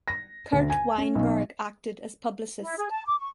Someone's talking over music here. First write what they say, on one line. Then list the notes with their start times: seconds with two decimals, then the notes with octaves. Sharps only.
Curt Weinberg acted as publicist.
0.08 A#6
0.53 D2
0.70 G#5
0.98 C#4
1.15 B1
2.61 E4
2.77 G#4
2.90 A5
3.06 D6
3.18 C#6